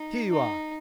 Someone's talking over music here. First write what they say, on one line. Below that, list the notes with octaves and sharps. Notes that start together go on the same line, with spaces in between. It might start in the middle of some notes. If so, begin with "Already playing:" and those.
'Here you are!
Already playing: D#4
D#4